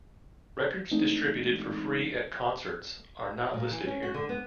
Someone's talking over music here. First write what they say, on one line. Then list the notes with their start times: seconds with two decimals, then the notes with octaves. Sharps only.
Records distributed for free at concerts are not listed here.
0.91 E3 G#3 A3 C4 D4 D#4
3.54 A#2
3.71 E3
3.85 C#4
4.03 F#4
4.14 D3
4.29 B3